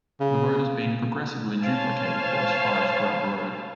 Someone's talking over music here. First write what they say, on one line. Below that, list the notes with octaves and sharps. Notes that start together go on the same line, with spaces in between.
The road has been progressively duplicated as far as Grubb Road.
C#3
C5 C#5 F5 G#5 A5